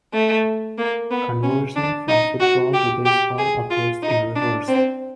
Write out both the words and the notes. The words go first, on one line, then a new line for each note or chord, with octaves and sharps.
Conversion from football to baseball occurs in reverse.
A3
A#3
B3
C#4
D4
D#4
F#4
G4
G4
G#4
F4
D#4
D4
C4